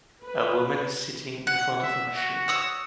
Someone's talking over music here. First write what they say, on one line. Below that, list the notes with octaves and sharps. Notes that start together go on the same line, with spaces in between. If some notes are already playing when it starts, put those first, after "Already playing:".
A woman is sitting in front of a machine.
B4
F#5
E5
F#4
C#5 D#6 E6